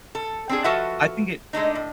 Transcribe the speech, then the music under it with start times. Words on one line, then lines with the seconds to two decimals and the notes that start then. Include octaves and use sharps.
I think it
0.15 A4
0.49 C4 D4 G#4
0.64 F3 F#4 A4 B4 E5 F#5
1.53 G#3 A3 D4 D#4
1.75 A2